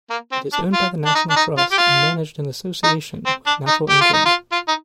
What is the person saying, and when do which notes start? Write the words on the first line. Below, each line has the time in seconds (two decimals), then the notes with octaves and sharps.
It is owned by the National Trust and managed in association with Natural England.
0.10 A#3
0.32 C4
0.52 D4
0.73 F4
1.05 D4
1.15 D#4
1.30 D4
1.36 D#4
1.57 F4
1.71 G4
1.78 F4
2.83 D#4
3.26 C4
3.46 D4
3.68 D#4
3.89 G4
4.01 F4
4.13 D#4
4.25 F4
4.52 F4
4.68 D#4